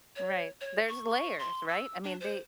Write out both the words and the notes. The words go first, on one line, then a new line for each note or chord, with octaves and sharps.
Right, there's layers, right, I mean, they,
C#5
C#5
C#6
C6
E6
D4
C5